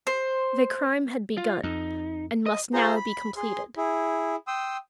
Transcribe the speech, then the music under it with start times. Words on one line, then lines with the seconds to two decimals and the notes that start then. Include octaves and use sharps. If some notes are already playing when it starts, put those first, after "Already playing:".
The crime had begun and must now be completed.
0.07 C5
1.37 F4
1.63 F2 D#4
2.46 D#5
2.74 F4 G#4 C5 A#5 C6
2.96 B5
3.37 G#4 C6
3.77 E4 G#4
4.47 G5 C6 D#6 E6